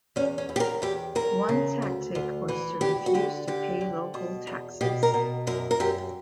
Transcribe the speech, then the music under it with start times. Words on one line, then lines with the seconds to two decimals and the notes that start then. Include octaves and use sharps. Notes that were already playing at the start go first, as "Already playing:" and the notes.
One tactic was to refuse to pay local taxes.
0.16 E2 C#4
0.38 C#4
0.49 E2
0.56 G4
0.60 A#4
0.82 E2 G4
1.15 E2 A#4
1.49 C#3
1.82 D2
2.15 D2
2.48 E3
2.81 D2 G4
3.06 F#4
3.14 D3 G4
3.47 D3 G4
3.81 D3
4.14 B2
4.47 E2
4.81 B2 G4
5.03 A#4
5.14 B2
5.47 F#2 A#4
5.71 A#4
5.80 F#2 G4